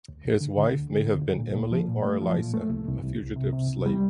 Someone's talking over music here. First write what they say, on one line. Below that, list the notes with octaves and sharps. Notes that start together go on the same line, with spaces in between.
His wife may have been Emily or Eliza, a fugitive slave.
D2
D2
D3
D3
D2
D3
D2
D2
A#2
A#2
F3
A#2
A3
F3
A#2
A3
C2
C2
C2
C2
C3
C3
C2
G3